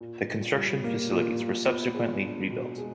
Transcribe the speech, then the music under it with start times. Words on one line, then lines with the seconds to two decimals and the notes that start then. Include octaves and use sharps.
The construction facilities were subsequently re-built.
0.01 A#2
0.29 A#2
0.57 G3
0.84 A#3
1.11 A#2
1.40 A#2
1.67 B3
1.95 G#3
2.22 D4
2.50 B2
2.78 G#3